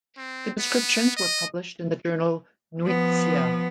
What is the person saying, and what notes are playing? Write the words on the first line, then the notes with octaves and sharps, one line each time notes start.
The descriptions were published in the journal "Nuytsia".
C4
B3
D#5
F3 B3